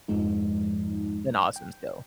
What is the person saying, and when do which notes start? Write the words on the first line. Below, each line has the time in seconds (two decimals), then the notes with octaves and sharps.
an awesome skill.
0.08 F2 G#2 F3 G#3 D#4
1.56 G5